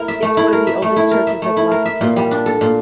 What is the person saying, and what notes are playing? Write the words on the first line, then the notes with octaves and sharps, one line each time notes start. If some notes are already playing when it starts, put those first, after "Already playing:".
It’s one of the oldest churches of La Cepeda.
Already playing: E4 A#4
E5
A3
E4
A#4
E5
A3
E4
A#4
E5
A3
E4
A#4
E5
A#2
G3
D4
A4
A#2